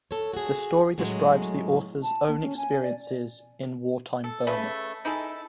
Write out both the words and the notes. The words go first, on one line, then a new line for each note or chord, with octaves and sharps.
The story describes the author's own experiences in war-time Burma.
A4 C#5
F#4 G#4
A2 F#3 G#3 C#4
A5
A#3
C#4
G#5
D5
A4
C#3 A3 B4
D#4 E4 G#4 A4